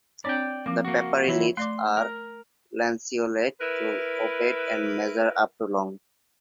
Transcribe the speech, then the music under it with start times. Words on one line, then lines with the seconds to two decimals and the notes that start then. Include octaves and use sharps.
The papery leaves are lanceolate to ovate and measure up to long.
0.25 C4 D4 C#5 D5 G5
0.66 F3 A#3 C4
0.85 A#3 F#4
1.28 E3 F#3 E4 C#5
1.57 A3 D5 C6 D6
1.97 A#4
3.60 E4 A#4 B4